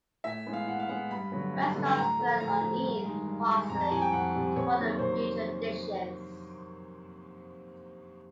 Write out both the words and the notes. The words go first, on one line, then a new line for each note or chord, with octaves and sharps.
Restaurants collect uneaten parsley to put on future dishes.
A2 E5
E3 G#3 B3
F5
A2 F#5
F5
E3 G#3 B3 F#5
G2 B5
D3 F#3 B3
G2
D3 F#3 B3
A2 A#5
F3 A3
A2 A#5
F3 A3
G2
D#3 G#3
G2
D#3 G#3
F2 A#5
A5
C3 E3 G3 G#5
G5
F2 F#5
C3 E3 G3
C3 C#5
D#3 F#3 A#3
C3 C5